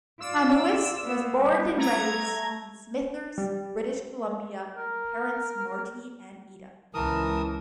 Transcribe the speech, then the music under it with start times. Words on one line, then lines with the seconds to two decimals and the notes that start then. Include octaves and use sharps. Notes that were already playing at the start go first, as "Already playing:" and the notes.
Hamhuis was born and raised in Smithers, British Columbia, to parents Marty and Ida.
0.21 F4 D5 E6
1.04 A#3 B3
1.42 G3 B3
1.77 A3 A#5 G#6
3.38 G3
4.77 A#4
6.94 C#2 E3 A#4 A5 D#6